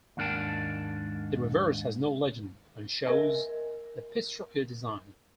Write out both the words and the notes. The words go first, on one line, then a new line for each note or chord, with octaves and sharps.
The reverse has no legend and shows the Pistrucci design.
D#2 G#2 D4 A#4 G5 A5
A#4 D#5 E5 G#5